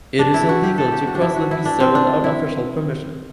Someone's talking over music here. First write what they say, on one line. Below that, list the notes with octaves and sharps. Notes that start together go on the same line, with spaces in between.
It is illegal to cross the vista without official permission.
D4
E4
F#4
G4
A4
G4
F#4
D4
E4
F#4
E4
D4
C4
D4
E4